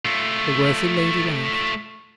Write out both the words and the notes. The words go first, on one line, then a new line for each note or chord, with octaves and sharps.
The worthy lady laughed.
A3 F4